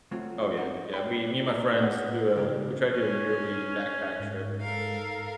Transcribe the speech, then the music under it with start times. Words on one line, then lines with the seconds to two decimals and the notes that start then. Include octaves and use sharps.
Oh, yeah. Yeah, we me and my friends do a we try to do a yearly backpack trip,
0.11 F#3 A3 C4 F4 F#4
0.57 C4 D#4 F#4
0.94 D5 G5 B5
1.47 D#4 A#5
1.82 D#4 G#4 B4 F#5
2.36 E2 C#3 G3 G#3 G4 A#4
2.93 C#4
4.20 G#2
4.60 A4 A#4 F5